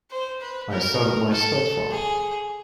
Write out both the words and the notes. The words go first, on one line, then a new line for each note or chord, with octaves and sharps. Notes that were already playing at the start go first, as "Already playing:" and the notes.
I started my stud farm.
C5
B4
A#4
A4
G#4